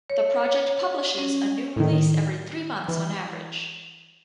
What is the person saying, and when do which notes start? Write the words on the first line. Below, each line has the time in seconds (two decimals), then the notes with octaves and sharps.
The project publishes a new release every three months on average.
0.10 C#5
0.44 C#5
1.18 C#4
1.76 A2 D#3
2.88 E3